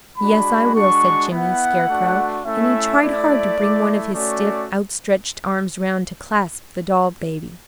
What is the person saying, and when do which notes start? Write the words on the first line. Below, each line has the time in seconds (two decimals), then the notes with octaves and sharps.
"Yes, I will," said Jimmy Scarecrow, and he tried hard to bring one of his stiff, outstretched arms around to clasp the doll-baby.
0.18 G#3 D4 F#4 B5
0.74 G#3 D4 F#4 C#6
1.31 B3 E4 F#5
1.87 A3 D4 F#4
2.43 A3 C#4 E4 E5
3.00 A3 E4 D5
3.57 A3 E4
4.13 A3 C#4 F#4 D5